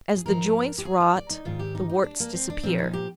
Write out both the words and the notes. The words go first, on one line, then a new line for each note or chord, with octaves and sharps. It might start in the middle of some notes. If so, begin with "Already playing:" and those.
As the joints rot, the warts disappear.
G#4
G#2 F3 A#4
G4
G#4
F5
D5
D#4
G#2 D#3 F4
G4
D#4
D#4
D4
A#3
C4
D4
A#2 F3 C4
D#4
G4